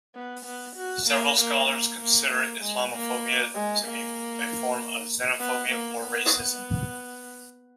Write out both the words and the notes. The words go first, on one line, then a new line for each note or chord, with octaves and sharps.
Several scholars consider Islamophobia to be a form of xenophobia or racism.
B3
B3
F#4
A#3
A#3
A#3
A#3
A#3
G#3
A#3
G#3
A#3
B3
A#3
B3